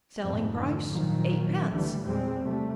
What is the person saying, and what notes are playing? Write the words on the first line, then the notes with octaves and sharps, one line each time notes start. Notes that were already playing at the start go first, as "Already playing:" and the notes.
Selling price, eightpence.
F2 G#2 B2 G#3 A3
D3 E3
A#2 D#3 F3 F#3
C#2 D3 E3 G3 A3
E2 A#2 G3 G#3 C4
C3 G3 A3